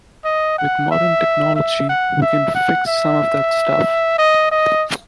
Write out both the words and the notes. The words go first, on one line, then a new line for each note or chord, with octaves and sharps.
With modern technology, we can fix some of that stuff.
D#5
F#5
E5
E5
F#5
E5
F#5
E5
D#5
D#5